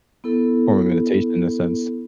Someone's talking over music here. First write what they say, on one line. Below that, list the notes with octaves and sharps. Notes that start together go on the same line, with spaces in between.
form of meditation in a sense,
B3 E4 A4